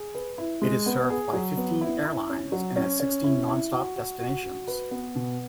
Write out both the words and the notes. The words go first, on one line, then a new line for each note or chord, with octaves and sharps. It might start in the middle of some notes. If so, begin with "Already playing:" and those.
It is served by fifteen airlines and has sixteen non-stop destinations.
Already playing: G#4
B4
E4
G#3
B3
G#4
F#3
B3
E4
E4
C#4
F#3
C#4
C#4
E4
E4
F#4
F#4
F#4
F#4
B4
B3
B2